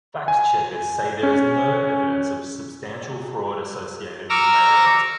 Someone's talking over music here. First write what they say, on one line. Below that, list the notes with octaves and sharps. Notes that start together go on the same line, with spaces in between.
Fact checkers say there is no evidence of substantial fraud associated with mail voting.
G#5
C#4
A#5 C#6 D6 E6 F6